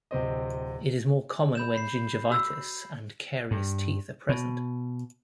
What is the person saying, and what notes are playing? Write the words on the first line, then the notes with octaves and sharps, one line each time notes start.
It is more common when gingivitis and carious teeth are present.
D1 C3 C4 D#5
B5 G6 E7
B5 C7
F#4 E6
G2
B2